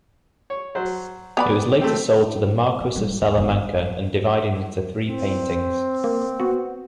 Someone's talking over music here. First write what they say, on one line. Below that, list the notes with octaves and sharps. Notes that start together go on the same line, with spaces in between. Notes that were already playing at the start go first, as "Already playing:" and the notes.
It was later sold to the Marquis of Salamanca, and divided into three paintings.
C#5
F#3 C5
B3 B4 D5 G5 B5
A3 C4
A#3
G3 G#3
D#2
G1
C4
A#3
B3 F#4